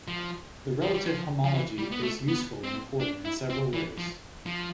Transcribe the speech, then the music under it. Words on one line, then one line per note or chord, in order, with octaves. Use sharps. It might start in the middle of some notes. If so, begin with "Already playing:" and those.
The relative homology is useful and important in several ways.
F3
F3
G3
F3
F3
E3
G3
B3
A3
B3
C4
D4
E4
C4
E3
F3
F3